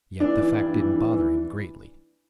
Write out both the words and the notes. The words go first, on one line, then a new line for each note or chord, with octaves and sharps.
Yet the fact didn't bother him greatly.
E3 D4
E3
G2
E3
E3
E3